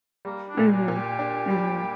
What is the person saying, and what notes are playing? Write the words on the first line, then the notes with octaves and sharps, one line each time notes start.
Mhm, mhm.
G3 A#3
D4
A#2
D4
A#2
G4
D4
G3